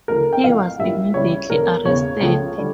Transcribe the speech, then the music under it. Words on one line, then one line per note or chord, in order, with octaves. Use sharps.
He was immediately arrested.
D2 C#3 E3 A3 A#4
G5
F1 F2 E3 F5
G2 F3 A#3 C#4 E4 E5
C#2 C#3 G3 C#4 E4 C#5
E1 E2 D3 A#4
E1 E2 C#3 C#5
C#2 C#3 F3 A3
D3 G3